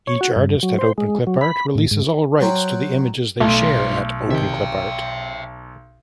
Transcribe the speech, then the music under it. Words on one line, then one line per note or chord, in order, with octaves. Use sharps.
Each artist at Openclipart releases all rights to the images they share at Openclipart.
C#5
F#4
G2
F#3
C5
G#3
F#3
B5
A2
G#2
F#3 C5 F#5 G5
B1 G3 A3 F4
C3 D#3 E5 G5